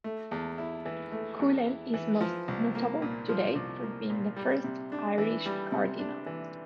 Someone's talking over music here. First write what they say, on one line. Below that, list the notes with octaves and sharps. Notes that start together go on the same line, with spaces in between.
Cullen is most notable today for being the first Irish cardinal.
A3
E2
E4
E3
A3
E2
E4
E3
F3
C2
A#3
A#2
F3
C2
A#3
A#2
G3
C3
D4
E3
G3
C3
D4
E3